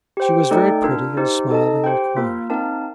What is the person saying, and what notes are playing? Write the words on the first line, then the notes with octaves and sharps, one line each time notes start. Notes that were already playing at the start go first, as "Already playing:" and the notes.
She was very pretty and smiling and quiet.
G4 C5 G5
A3 D#4 A4 D5 G5
D4 F4 A#4
D#4 G4 C5
D#4 A4 D#5 A5
G4 C5 G5
A#3 F4 A#4
C4 D#4 A#4 F5 A5